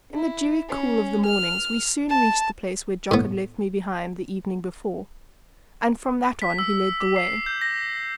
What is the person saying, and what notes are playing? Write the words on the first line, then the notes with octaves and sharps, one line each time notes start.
In the dewy cool of the morning we soon reached the place where Jock had left me behind the evening before; and from that on he led the way.
E4
C#4
F6
A5
A2 B3
B6
E6
D6
C7
G6
A#6